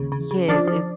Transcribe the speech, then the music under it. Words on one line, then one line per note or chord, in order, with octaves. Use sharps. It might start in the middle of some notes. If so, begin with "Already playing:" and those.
Yes, it's
Already playing: D#2 C#3
C#3
C#3
F3 D4 D5
F3